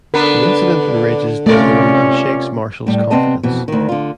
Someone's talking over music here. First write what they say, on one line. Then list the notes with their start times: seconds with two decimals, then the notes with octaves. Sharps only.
The incident enrages Deveraux and shakes Marshall's confidence.
0.14 D3 B3 D4 A#4 B4
1.47 C3 A3 C#4 F4 A#4 D5
2.87 A2 G3
3.11 C3 B3 C4 C5 D#5 A5
3.43 F2 B2 E3
3.68 D2 D#3
3.89 D3 F4